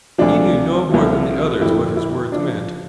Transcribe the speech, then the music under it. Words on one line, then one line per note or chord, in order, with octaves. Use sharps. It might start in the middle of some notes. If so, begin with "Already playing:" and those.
He knew no more than the others what his words meant.
D2 C3 F3 D4
C2 C3 F3
F2 D3 G3 E4
E4
F3 D4